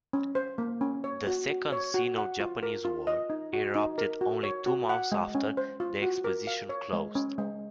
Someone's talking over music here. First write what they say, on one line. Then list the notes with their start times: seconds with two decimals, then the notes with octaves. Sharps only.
The Second Sino-Japanese War erupted only two months after the Exposition closed.
0.13 C#4
0.35 C5
0.58 A#3
0.81 C#4
1.04 C#5
1.27 F#4
1.50 F#4
1.72 C#5
1.94 F#4
2.18 F#5
2.40 F4
2.63 A#4
2.85 F4
3.07 D#5
3.30 D#4
3.53 F#4
3.75 D#4
3.98 A#4
4.21 F#4
4.43 C#5
4.66 F#4
4.89 F#5
5.12 G#3
5.35 C#4
5.57 C5
5.80 F4
6.03 F#4
6.24 A#4
6.47 F5
6.69 C#5
6.93 G#3
7.15 C#4
7.38 G#3